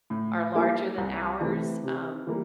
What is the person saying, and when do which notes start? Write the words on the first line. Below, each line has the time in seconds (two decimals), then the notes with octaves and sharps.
are larger than ours, um,
0.10 A2
0.54 G3 A#3 E4
0.98 C2
1.41 C3 E3 A3
1.83 C3
2.27 E3 G3 A#3